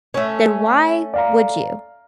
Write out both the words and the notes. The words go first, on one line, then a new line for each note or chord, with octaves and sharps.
then why would you?
A3 C#4
D5 F5 A#5